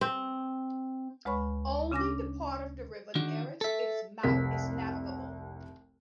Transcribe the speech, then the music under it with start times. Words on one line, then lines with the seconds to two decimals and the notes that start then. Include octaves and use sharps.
Only the part of the river nearest its mouth is navigable.
0.01 C4
1.25 D2 G#3 B4 C#5 B5 C#6
1.91 C#3 C#4 D4 G#5 D6 A#6
3.15 D#3 D4 F#4
3.61 A4 E5
4.23 F1 C2 A#4 B6